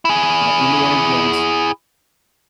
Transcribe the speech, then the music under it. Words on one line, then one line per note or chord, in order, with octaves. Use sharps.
My Indiana Jones.
E4 G#4